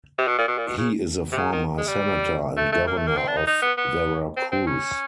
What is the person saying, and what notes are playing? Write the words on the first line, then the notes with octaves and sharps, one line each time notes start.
He is a former senator and governor of Veracruz.
C3
B2
A#2
B2
A#2
B2
C#3
C3
C#3
D#3
G#3
G3
A3
A3
A#3
A3
A#3
C4
D4
D#4
D#4
B3
B3
C4
C4
C#4